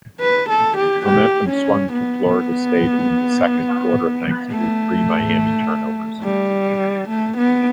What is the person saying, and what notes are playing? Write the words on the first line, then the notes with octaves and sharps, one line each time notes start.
Momentum swung to Florida State in the second quarter thanks to three Miami turnovers.
B4
A4
G4
G4
C#4
B3
A3
G3
A3
B3